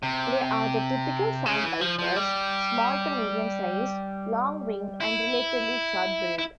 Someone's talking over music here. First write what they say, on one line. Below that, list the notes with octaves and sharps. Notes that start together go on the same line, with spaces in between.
They are the typical "sandpipers", small to medium-sized, long-winged and relatively short-billed.
C3
C#3
E3
F3
F3
G3
E4
E4